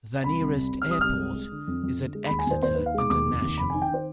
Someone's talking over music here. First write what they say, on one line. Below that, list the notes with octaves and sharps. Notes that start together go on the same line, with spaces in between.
The nearest airport is at Exeter International.
C2 B5
C2
C2
C2
F6
G3 D#6
C2 F6
G#3
G#3
D3
F2
F2
D3
G#3
D#2 B5
G#5
D#2 C5
D#2 C5
D#3 B4
F5
G#3 D6
D#2 D6
F1
D#2
F1 B5
D#3 G#5
G5
D#3 C5